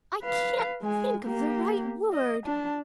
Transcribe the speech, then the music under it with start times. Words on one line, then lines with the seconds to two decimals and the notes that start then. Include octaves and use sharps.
I can't think of the right word.
0.23 B4 F5
0.82 G#3 G#5
1.25 A#3 G4
2.13 D#5
2.45 D4 A5